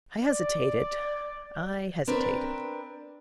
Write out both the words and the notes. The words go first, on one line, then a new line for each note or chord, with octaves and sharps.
I hesitated, I hesitated.
D5
C4 D4 A#4 B4